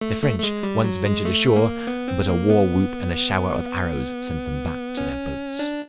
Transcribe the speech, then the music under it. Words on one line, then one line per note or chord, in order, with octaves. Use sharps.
The French once ventured ashore; but a war-whoop and a shower of arrows sent them back to their boats.
A3
A3
A3
G#3
G3
F#3
G#3
A3
A#3
B3
C4
A#3
B3
C#4
D4